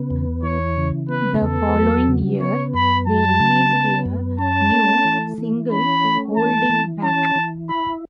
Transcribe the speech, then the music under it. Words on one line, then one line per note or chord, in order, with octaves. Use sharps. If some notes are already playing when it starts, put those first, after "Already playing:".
The following year they released a new single "Holding Back".
Already playing: C#3 B3
E2
E3 C#5
C#3
B3 B4
E2 A4
F#3
C#3
B3 C#5
F#2 B5
F#3 A5
C#3
B3
F#2
C#4 A5
A3
E3
E3
C#4 B5
A3
E3 A5
E3
C#4 A5
E3
E4 B5